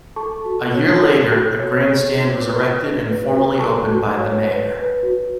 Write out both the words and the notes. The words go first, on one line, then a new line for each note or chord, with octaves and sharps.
A year later a grandstand was erected and formally opened by the Mayor.
A4 A5 C#6
F#4
C#5
A4
F#4
C#5
G#4
D#4
B4
B4
B4
F#4
A4 A5 C#6
F#4
C#5
B4
B4
F#4